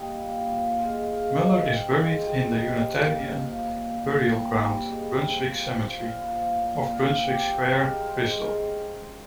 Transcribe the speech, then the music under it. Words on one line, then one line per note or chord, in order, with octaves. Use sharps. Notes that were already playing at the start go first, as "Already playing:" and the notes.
Muller is buried in the Unitarian burial ground, Brunswick Cemetery, off Brunswick Square, Bristol.
Already playing: G3 A#3 D#5 G5
A#2
F3
G#3 F4
G#3 F4
D#3 D#4
C4 F4
G#3
D#3
C3 D#4
A#3
A#3
F3
A#2
A#2
C4
G3
G#2
C4
F3
F3
A#2 F4
F3
A#2
A#2 F4
C4
G4
C4
G#3 A#4
C5
A#4
G#3 C5
A#4
G#3 C5
A#4
C#4 C5
C#4